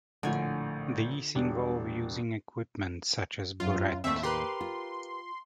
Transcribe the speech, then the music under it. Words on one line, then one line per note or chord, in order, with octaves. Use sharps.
These involve using equipment such as a burette.
A#1 A2 D3 G#5
E1 G3 D4
F#2 F4
D#2 A2 A3 C4 E5
G4 A#4 B4 C6
F4